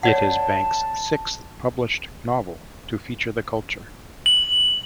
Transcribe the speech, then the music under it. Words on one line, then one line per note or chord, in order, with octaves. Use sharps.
It is Banks' sixth published novel to feature the Culture.
C#5 D5 F#5 A5
F#7